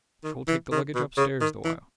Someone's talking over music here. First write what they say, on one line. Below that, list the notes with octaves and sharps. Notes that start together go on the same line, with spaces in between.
'She'll take the luggage upstairs the while.
D#3
E3
D#3
B2
C#3
D#3
E3